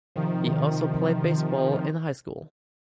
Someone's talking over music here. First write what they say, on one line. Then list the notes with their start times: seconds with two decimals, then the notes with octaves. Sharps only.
He also played baseball in high school.
0.16 C3 D#3 F3